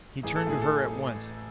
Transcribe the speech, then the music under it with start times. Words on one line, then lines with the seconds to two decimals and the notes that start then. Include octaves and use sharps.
He turned to her at once.
0.23 A1 G#4
0.36 A4
0.47 A2 G#4
0.62 A4